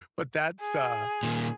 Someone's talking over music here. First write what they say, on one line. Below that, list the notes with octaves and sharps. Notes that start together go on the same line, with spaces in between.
but that's, uh
G#4
A#2 D#3